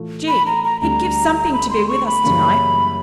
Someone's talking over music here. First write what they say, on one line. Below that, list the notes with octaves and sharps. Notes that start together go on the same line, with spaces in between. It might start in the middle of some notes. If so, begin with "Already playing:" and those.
Gee, he'd give something to be with us to-night!
Already playing: A2 E3 A3 F4
B5
A#5
A#5
D2 D3 G3 A#5
B5
C6
C#6
B5
F#2 C#3 E3 G3 A#3